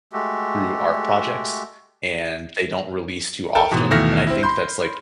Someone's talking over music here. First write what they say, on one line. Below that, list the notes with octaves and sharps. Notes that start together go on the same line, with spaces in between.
through art projects, and they don't release too often, and I think that's, like,
G#3 A3 F#4 G4
A4 A#4 G5 A5
G#2 B2 E3
D#2 B2 E3 A3 F6 A#6
C4 E4
B5 C6 G6